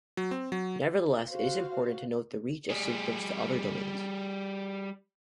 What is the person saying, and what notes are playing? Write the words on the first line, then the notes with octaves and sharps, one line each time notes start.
Nevertheless, it is important to note the reach of symptoms to other domains.
F#3
C4
F#3
F#4 C5 F5
G3 G#4